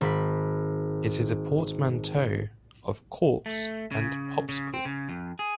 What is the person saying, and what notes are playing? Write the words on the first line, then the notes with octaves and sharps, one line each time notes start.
It is a portmanteau of "corpse" and "popsicle".
G#1 B5 B6
A3
C#3
C#3
C4
C#3
F2
G#4